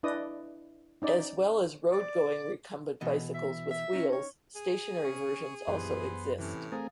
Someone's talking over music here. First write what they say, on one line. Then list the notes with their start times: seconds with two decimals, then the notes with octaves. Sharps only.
As well as road-going recumbent bicycles with wheels, stationary versions also exist.
0.03 D4 E4 B4 D5 D#5 D#6
1.02 C#4 D#4 D5
1.92 D5
3.01 B2 E3 D#5
3.35 E5
3.71 E5
3.93 C#4 D#4
4.13 C#5
4.55 G#4
5.04 C#4 C#6
5.67 A#1 F#2 E3 B3 G4 C5
6.38 A2 C3 E3 C#4
6.72 A3 C4 G#4 A#4 F5 D#6 A6